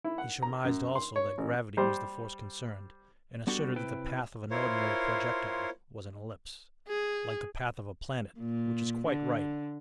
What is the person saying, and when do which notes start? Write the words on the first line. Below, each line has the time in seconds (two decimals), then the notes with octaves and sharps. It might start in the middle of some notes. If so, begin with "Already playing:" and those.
He surmised also that gravity was the force concerned, and asserted that the path of an ordinary projectile was an ellipse, like the path of a planet--which is quite right.
0.04 E4
0.18 F#5
0.42 A#5
0.64 F#2
0.95 C6
1.16 C#5
1.38 A1
1.77 G3 C5
3.47 G3 B3 D4 F#4 G4 A4
3.76 C3 E4 B4 G5
4.51 E4 F4 A#4 C5 C#5
6.88 G#4
8.39 A#2
9.07 D3